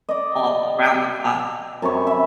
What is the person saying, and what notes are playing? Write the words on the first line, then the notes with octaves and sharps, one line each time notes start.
all around the clock.
D5 D#5
F#2 C3 B5 C#6
E5 B5